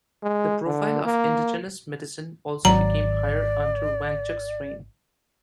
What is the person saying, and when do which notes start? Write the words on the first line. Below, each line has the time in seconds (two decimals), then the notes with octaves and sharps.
The profile of indigenous medicine also became higher under Wangchuck's reign.
0.23 G#3
0.66 D3
1.05 A#3
2.65 G#1 F#3 D5 A#5